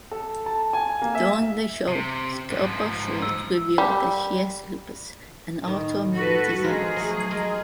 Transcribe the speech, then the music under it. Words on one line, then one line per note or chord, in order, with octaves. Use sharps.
During the show, Scelba-Shorte revealed that she has lupus, an autoimmune disease.
A4
A5
G#5
A#3
E5
C3
G#2 F3
E6
G3
A2 D#3
F#4 A4 B4
F3 G#3 G#4 A#4
F#3 A3
G#3 A#4